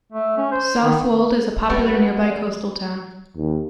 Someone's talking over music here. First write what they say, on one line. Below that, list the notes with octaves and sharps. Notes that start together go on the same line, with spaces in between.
Southwold is a popular, nearby coastal town.
A3
C#4
C5
D#3
G3 B3 C#4 B4
D5
D#2